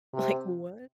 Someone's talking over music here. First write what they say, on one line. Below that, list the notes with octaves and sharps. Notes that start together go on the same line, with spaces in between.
Like, what?
C3